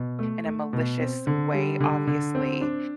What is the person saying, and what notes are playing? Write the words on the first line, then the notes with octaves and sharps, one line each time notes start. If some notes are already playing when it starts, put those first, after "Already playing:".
in a malicious way, obviously."
Already playing: B2
A3
A3
B2
C4
D3
G3
D3
D3
C4
D4